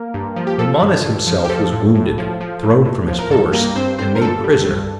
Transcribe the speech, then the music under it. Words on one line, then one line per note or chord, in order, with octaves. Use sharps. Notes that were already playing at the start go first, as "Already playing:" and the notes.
Romanus himself was wounded, thrown from his horse, and made prisoner.
Already playing: A#3 A#4
G2
F3
G4
F3 A4
G2
G2
F3
G4
F3 A4
A2
A2
F3
F3
A2
A2
F3
A#4
G2 A4
G3 A#3 A#4
G2 C4 C5
D3 C4 C5
A#4
G2 A4
G3
G2